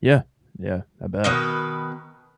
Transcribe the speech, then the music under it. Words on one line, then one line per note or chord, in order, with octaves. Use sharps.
Yeah. Yeah. I bet.
B2 D#3 B4